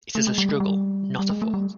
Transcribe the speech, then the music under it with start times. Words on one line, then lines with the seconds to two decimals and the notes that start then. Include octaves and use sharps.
It is a struggle, not a thought.
0.15 A3
0.27 G#3
0.38 G3
0.49 G#3
0.60 G3
1.19 G3
1.30 G#3
1.42 A3
1.54 G3